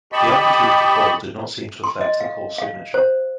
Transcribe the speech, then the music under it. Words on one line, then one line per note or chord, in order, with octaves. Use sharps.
The amplitude of the call did not seem to affect the call signature.
G4 D#5 A5 B5 C#6
C6
D#5
F5
F5
C5